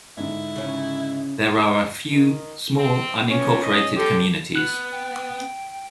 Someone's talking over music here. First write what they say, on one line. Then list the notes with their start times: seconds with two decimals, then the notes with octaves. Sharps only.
There are a few small unincorporated communities.
0.17 G#2 D3 E4
0.56 C#3 C#4
2.09 D#3
2.76 C4
3.27 G2 C#4
3.63 D#5
3.96 D3 G4 A4
4.56 B3 F#6
4.92 G5